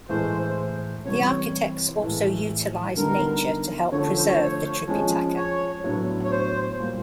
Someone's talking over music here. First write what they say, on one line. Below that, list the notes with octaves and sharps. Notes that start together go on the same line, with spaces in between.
The architects also utilized nature to help preserve the Tripitaka.
A2 E3 G#3 C5
C3 E3 G3 C#5
A2 E3 G#3
D3 G3 B3 D#4 A#4
D3 F3 A3 C#5
C5
C#5
C5
C#5
F3 G#3 C#4
C#5
A2 F#3 B3 D4
C#5
C5
A#2 G3 A#3